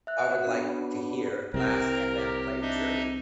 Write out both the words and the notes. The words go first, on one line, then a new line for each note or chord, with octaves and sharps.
I would like to hear lastfm play journey.
E5 F#6
F#4 C#5
B3 D4
C2 C3 C4 A#4
G4
D4 D#4 D#5 E5